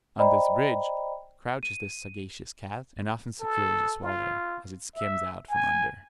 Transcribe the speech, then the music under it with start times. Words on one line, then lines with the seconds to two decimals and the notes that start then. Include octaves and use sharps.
On this bridge crouches this sagacious cat, and often secures a swallow, as it skims out from under.
0.19 C5 D5 D#5 G5 A#5 B5
1.63 D#7
3.40 A4
4.03 F4
4.95 E5
5.49 G#5